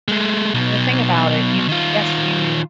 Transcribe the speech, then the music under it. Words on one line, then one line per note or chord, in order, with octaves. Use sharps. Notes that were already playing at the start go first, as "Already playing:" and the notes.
the thing about it, you yes, you
G#3 A3
B1 B2
D#3 F4